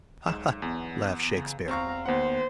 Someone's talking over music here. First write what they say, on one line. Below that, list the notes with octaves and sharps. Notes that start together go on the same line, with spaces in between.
"Ha-ha!" laughed Shakespeare.
B1 G#2 E7
E2 B3
C#3
E2 C4 F5 A#5 C#6
D#2 B3 C5 F#5